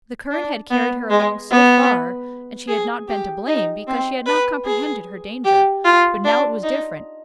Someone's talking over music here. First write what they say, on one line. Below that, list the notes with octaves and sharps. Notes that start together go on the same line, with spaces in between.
The current had carried her along so far, and she had not been to blame, because she had not comprehended her danger; but now it was different.
D4
B3
G#3
B3
G#4
G4
D#4
C4
B4
G#4
G4
F4
D4
D#4